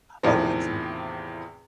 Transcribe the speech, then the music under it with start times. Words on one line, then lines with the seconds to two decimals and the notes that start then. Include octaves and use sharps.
Oh, that's in
0.23 E2 A2 C3 D#3 F3